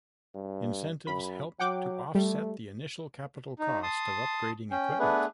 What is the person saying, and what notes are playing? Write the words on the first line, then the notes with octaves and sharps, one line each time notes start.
Incentives helped to offset the initial capital cost of upgrading equipment.
G2
F#2 B5
F#3 F#5 G5 D6
G3 A3
D#4
A5 C6 D#6
C#4 G5
A3 B3 D4 G#4 B4